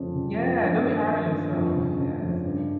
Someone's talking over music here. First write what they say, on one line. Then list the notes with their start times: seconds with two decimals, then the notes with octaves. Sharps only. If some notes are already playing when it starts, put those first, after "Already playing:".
Yeah, don't be hard on yourself, yes.
Already playing: F2 C#3
0.15 C#3
0.38 F2
0.61 G2 G#5
0.84 D#3
1.07 D#3
1.30 G2
1.52 F2
1.76 C#3
1.99 C#3
2.21 F2
2.44 G2